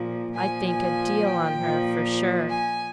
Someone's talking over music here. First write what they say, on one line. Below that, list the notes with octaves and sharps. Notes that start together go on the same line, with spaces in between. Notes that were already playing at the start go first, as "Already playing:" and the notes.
I think a deal on her, for sure.
Already playing: A#2 F3
A#2 F3 G#5
G#5
G5
A#2 F3
G#5